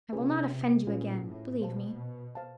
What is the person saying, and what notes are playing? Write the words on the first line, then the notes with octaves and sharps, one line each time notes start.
I will not offend you again, believe me.
C3 C#4 F4 G#4 B4
A#2 C#4 F4 G#4 B4
A2
B2 C5 F5 A5
C5 F5 A5